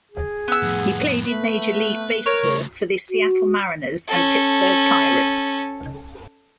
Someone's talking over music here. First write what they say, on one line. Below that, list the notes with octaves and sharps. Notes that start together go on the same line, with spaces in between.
He played in Major League Baseball for the Seattle Mariners and Pittsburgh Pirates.
G#4
B3 E6
F2 A2
A3 B4
A#4 C#5
C#3 A3
F#4
C#4 A4